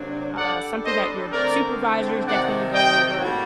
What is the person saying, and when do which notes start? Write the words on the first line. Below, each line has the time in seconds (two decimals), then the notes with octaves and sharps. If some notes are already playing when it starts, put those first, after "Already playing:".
uh, something that your supervisors definitely go over,
Already playing: C3 F#3 A#3 D4
0.38 G3 D4 A4 D5 F#5
0.85 C5 D#5
1.31 D3 A3 C4 A#4 D5
2.26 C3 D#3 A3 C4 D5 F#5
2.73 D#5 G5
3.21 A2 G3 A#3 F#4